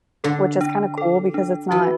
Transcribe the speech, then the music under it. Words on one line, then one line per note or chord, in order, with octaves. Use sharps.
which is kinda cool because it's not
D3 A4
D4
A4
D4
E3 F#4